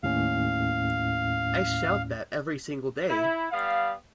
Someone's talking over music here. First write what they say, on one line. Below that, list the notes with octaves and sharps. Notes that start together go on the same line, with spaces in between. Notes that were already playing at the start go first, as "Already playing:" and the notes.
I shout that every single day!
D#2 A2 C#4 F5
E4
G3 B3 F5